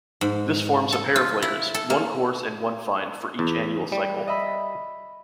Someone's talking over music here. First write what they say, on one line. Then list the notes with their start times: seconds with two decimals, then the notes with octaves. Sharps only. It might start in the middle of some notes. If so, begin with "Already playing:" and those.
This forms a pair of layers-one coarse and one fine-for each annual cycle.
0.21 G#2
0.92 A4
1.16 F4
1.42 E4
1.74 A4
1.90 A#3
3.39 E2
3.92 G3
4.27 D#5 E5 B5